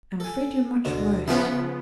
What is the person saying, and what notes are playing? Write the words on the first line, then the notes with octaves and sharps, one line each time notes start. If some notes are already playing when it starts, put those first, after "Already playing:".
'I'm afraid you're much worse.
A4 G#5
D2 B2 D3
C#3 F3 B3 E5